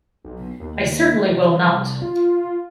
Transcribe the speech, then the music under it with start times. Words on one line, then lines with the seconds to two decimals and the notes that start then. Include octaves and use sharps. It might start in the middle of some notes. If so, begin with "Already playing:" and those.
I certainly will not!
0.25 B1
0.60 D#2
1.28 C2
2.02 F4